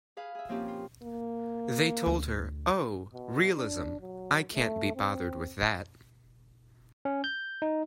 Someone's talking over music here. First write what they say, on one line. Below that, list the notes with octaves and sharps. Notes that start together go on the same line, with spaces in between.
They told her, Oh, realism, I can't be bothered with that.
G#4 B4 F5
G#4 E5
F3 A#3 C4 C#4 F4 G4
F4
A#3
D2
B2
D4
F#3
A3
C4
C#4
G6
D#4